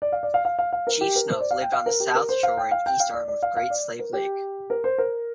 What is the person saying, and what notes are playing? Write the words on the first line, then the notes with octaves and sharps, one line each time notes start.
Chief Snuff lived on the south shore and east arm of Great Slave Lake.
D5
F5
D5
F5
F5
F5
F5
A#4
G4
A#4
C5
D5
F5
G5
F5
A#4
G4
A#4
C5
F5
G5
F5
G5
F5
D5
D5
F5
F5
D5
A#4
G4
A#4
C5
A#4